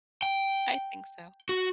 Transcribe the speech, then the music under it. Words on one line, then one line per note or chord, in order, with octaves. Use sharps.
I think so.
G5
F#4